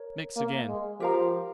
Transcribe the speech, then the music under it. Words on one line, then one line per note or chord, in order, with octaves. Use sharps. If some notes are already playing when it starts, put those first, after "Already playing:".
Mix again.'
Already playing: A#4 C#5
A#3
G#3
F3 G4 A#4 F5 A#5